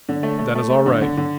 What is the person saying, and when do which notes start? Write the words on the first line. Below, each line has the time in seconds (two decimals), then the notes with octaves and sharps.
"That is all right."
0.09 D3
0.23 A3
0.39 A3
0.55 A3
0.70 A3
0.86 D3
1.01 D3
1.17 D3